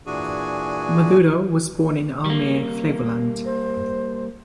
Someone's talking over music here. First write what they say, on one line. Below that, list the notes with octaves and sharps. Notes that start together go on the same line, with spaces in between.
Maduro was born in Almere, Flevoland.
A#2 E3 D4 F#4 G#4 G#5
G3 A#3
C5